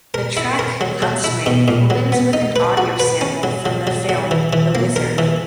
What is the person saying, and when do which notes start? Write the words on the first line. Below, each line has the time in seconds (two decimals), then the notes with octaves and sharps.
The track "Cutsman" opens with an audio sample from the film "The Wizard".
0.14 A#4
0.37 E4
0.59 A#4
0.81 F#3
1.02 F#3
1.24 E4
1.46 B2
1.68 A#2
1.90 F#3
2.12 B3
2.33 D#4
2.56 B4
2.77 F#4
3.00 B4
3.21 C#4
3.43 F#3
3.66 F#3
3.87 F#3
4.09 F#3
4.31 E3
4.53 E3
4.75 A#3
4.96 A#4
5.18 E3